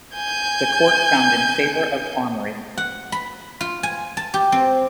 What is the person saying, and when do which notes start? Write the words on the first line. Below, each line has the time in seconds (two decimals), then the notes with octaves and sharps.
The Court found in favour of Armory.
0.15 G#5 G6
2.78 F#5
3.12 B5
3.61 F4
3.83 G#5
4.17 A5
4.34 G4
4.52 C4